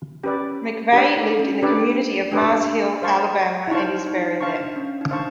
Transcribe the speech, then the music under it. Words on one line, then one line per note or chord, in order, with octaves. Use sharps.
McVay lived in the community of Mars Hill, Alabama and is buried there.
C#4 G4 B4 D5
D4 G4 B4 D5
D#4
C#4
D4 G4 B4 D5
D4 G4 B4 D5
C5 F5 A5 C#6
E4
D#4 C5 F5 A5 C#6
D#4
D4 C5 F5 A5 C#6
C#4
D#4
D4 C5 F5 A5 C#6